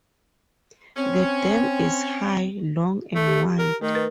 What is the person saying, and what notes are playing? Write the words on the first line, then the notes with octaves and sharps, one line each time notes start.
The dam, is high, long and wide.
C4 C#4
A3
G4
A#4
D#3 A3 A#4
A#4 B4 A6